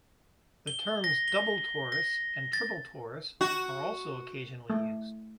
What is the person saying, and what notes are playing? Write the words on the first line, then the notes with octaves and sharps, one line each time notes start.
The terms double torus and triple torus are also occasionally used.
G7
A#6
G7
A#6
A6
F#4
A3